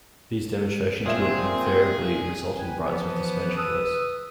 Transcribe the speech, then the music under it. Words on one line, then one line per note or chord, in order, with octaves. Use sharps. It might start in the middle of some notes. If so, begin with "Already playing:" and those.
These demonstrations would invariably result in riots with the Spanish police.
A#2 C4 G#4 E5 E7
E4 B4 G5 G#5
E3 F3 B3
B4 D#6 E6